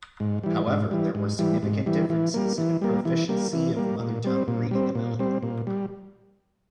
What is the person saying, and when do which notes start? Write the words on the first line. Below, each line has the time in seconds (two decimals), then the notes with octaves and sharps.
However, there were significant differences in the proficiency of mother tongue reading ability.
0.20 G#2
0.43 E3 G3
0.68 G#2
0.91 E3 G3
1.15 G#2
1.39 E3 G3
1.63 G#2
1.86 E3 G3
2.10 E3
2.34 G3 A#3
2.58 E3
2.81 G3 A#3
3.05 E3
3.29 G3 A#3
3.53 E3
3.77 G3 A#3
4.00 A#2
4.24 G3 C4
4.48 A#2
4.71 G3 C4
4.95 A#2
5.19 G3 C4
5.43 A#2
5.67 G3